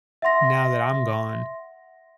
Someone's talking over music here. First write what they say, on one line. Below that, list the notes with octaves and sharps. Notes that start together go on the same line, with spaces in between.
now that I'm gone,
E5 F#5 C6 A#6